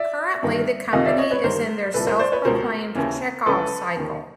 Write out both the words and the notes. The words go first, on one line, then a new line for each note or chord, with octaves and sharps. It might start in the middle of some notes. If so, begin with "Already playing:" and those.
Currently the company is in their self-proclaimed "Chekhov Cycle".
Already playing: D5 E5
G2 D#3
F2 C3 D#3 D#5 F5
D5 E5
C#5 D#5
B4 C#5
G2 D#3 A#4 C5
C2 A#2 A4 B4
A#4 C5
C5 D5
B4 C#5
C#2 B2 A#4 C5
D#2 C#3 E3
C#2 C#3 E3 A4 B4
D#2 D#3